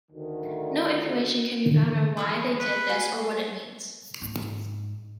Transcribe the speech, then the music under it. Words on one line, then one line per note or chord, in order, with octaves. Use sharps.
No information can be found on why they did this or what it means.
D2 D#3
E2 G2 G#3
B4
F#4 F5 G#5
G#2